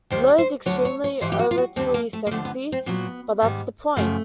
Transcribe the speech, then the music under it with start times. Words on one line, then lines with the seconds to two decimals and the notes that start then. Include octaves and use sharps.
Lo is extremely, overtly sexy but that's the point.
0.10 D#2 D#3 G3 C5
0.38 C5
0.66 D2 D3 F#3 C#5
0.85 C#5
1.04 C#5
1.21 G#2 E3 G3 C5
1.32 G4
1.39 F#4
1.51 F4
1.58 F#4
1.76 D#2 D3 G3 C4
1.94 A#3
2.13 A3
2.27 A#3
2.31 D#2 D3 F3 A3
2.45 B3
2.72 C4
2.86 A#2 F#3 B3
3.42 G#2 D#3 G3
3.96 F#2 C#3 F3 A3